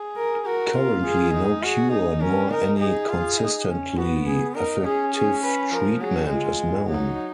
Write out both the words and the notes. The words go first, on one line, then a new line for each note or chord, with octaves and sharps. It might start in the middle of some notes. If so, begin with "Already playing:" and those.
Currently no cure nor any consistently effective treatment is known.
Already playing: G#4
A#4
F#4 A#4
F4
G#4
D#4
F#4 G#4
D#4
C#4 A#4
D#4 A#4
D#4 G#4
F4
D#4
C#4
B3 F#4
G#4
D#4 A#4
C#4 G#4
G#4
B4
F3 A#4
F#3 G#4
G#3 F4
F#3 D#4